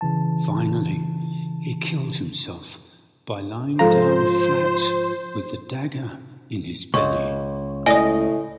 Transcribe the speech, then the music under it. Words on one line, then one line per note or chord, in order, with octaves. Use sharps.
Finally he killed himself by lying down flat with the dagger in his belly.
C#3 E3 A5
G#2 F3 F4 A4 C5 F5 A#5
C#2 C#6
A2 D#5 G#5 D#6